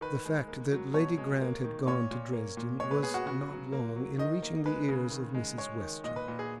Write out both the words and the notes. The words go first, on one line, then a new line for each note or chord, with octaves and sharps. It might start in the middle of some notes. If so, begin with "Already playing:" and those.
The fact that Lady Grant had gone to Dresden was not long in reaching the ears of Mrs. Western.
D#3 B4
G#3
A#3
F#3
B2 C#5
G#3
A#3
D#3
A#2 C#5
A#2
A#3
A#2
G#3 C#5
B4
B3 G#4
F#4
C#3 F#4
F#3
A#3
F#3
D#3 D#5
A#3
G#3 B4
C#3
D#3
G#3
G#3 C#5
D#3
A#2 D#5
B4
A#2
G#4